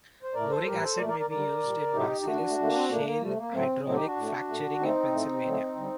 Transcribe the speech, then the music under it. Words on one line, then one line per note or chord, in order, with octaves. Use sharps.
Boric acid may be used in Marcellus Shale hydraulic fracturing in Pennsylvania.
C5
A2 A3 A#4 D5
A4 C5
A2 G3 G4 A#4
A4 C5
A#2 A3 A#4 D5
A#4 D5
A#4 D5
D3 G3 A#4 D5
A#2 G3
A2 F#3 A3 D#4 G4
D#4
D3 A3 D4 F#4
A3
D3 A3 A#3
C4
A#2 A3 A#3 D4
A3
A#3
C3 G3 A3
A#3
A2 F#3 A3 C4
A#2 F#3 A3 C4 D#4
D#4 G4
D4 F#4
A2 A3
A#2 A3
D3 A3 C4 D#4
A2 A3
D3 F#3 A3
D3 G3